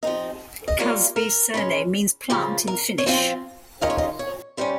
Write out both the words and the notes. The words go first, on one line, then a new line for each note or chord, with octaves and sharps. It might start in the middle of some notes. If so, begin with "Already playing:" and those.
Kasvi's surname means "plant" in Finnish.
F3 C4 D#4 D#5
D#5
G3 A#3 F4 C#5
A#4
C#3 G#3 C#4
C#3 F3 A#3 G4
A#4
C#5
F3 C4 F4 C5
D#3 G#3 C#4 F4 D#5
C#5
D#5
C#5
C3 G3 C#4 C5